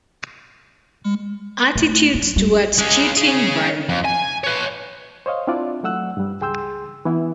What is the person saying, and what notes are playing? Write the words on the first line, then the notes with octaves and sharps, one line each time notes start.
Attitudes towards cheating vary.
A3
F#3
G3
G#3 C#4
C#4 G#4
F2
G#5
B4 C#5
C5 C#5 D#5 F5
C4 D4 E4 F4 D5
F#3 A3 F#5 E6 F#6
G2 G3
C#2 G#4 G5 C6 E6 G6
E3 B3 E4